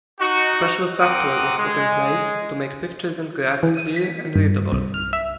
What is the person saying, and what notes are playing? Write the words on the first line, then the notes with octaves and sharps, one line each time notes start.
Special software was put in place to make pictures and graphs clear and readable.
D#4 F#4
C4 A#4 F#5 D6 D#6
G#3
E3
D#7
B6
G2
C2
F6
E5